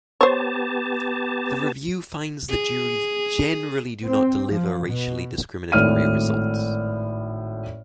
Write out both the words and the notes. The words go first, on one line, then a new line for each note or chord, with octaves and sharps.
The Review finds that juries generally do not deliver racially discriminatory results.
B3 G4 C5 C#5 A5
G#4
C4
F3
B2
G#1 A2 F6 D#7